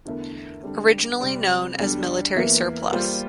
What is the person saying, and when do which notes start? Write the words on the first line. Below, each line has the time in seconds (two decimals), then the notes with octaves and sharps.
Originally known as 'Military Surplus'.
0.05 E2 D3 A3 E4 A#4
0.63 D3 G3 C4
1.20 C3 G3 C4
1.78 E2 D3 G3 D4
2.35 E2 E3 A#3 E4 A#4
2.92 G3 A#3 F4 C5